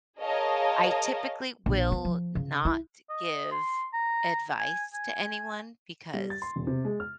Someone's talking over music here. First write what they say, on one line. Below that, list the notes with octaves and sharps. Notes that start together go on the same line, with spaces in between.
I typically will not give advice to anyone because
G#4 A#4 C#5 D#5 F5 A5
A#1
B3
F3
C#3
E4
D#5
C6
A#5
G#5
G#5
G3
A6
C6
E1
C3
G#3
F6